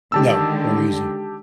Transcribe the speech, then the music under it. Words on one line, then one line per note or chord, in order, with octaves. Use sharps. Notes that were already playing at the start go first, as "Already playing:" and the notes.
No, very easy,
D3 D#3 G#3 G4 A5 E6